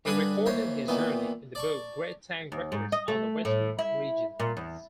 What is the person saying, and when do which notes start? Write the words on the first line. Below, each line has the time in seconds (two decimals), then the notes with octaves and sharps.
He recorded his journey in the book "Great Tang Records on the Western Regions".
0.05 G2 D3 D4 B4 G#5 D#6
0.46 D#2 E3 C5 C#5
0.88 A#2 D#3 E3 B3
1.55 D5 A5 C#6
2.52 D#2
2.72 G#2
2.92 D#5
3.08 A3
3.45 A2
3.79 E4
4.40 A#2
4.57 E2